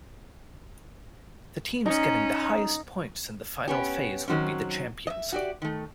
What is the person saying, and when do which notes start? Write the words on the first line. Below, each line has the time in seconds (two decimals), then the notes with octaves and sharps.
The teams getting the highest points in the final phase would be the champions.
1.86 C#4 D#4
3.68 B3 C#4 G4
4.28 D#3 F#3 C4 C#4
5.07 D#5 E5
5.32 F#4 G4 D5
5.62 D#3 A3